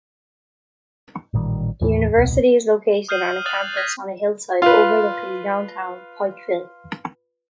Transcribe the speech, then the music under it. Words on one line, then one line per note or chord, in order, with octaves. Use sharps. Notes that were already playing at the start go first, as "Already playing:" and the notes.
The university is located on a campus on a hillside overlooking downtown Pikeville.
A1 A#2 D#3 G3
D#2 A2 E3
D#1 C2 B2
D#6 F6 G6 C7 D#7 F#7
D#6 F#6 A6 D#7 F7 F#7
F6 F#6 G#6 A#6 B6
F4 B4